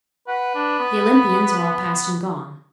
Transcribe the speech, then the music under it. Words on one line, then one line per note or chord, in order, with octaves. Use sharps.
The Olympians are all past and gone.
B4 F#5
D4
B3